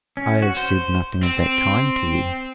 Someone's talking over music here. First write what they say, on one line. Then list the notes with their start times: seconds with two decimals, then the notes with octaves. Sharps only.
"I have said nothing of that kind to you."
0.17 C#4
0.42 F#4
0.57 C5
1.23 C4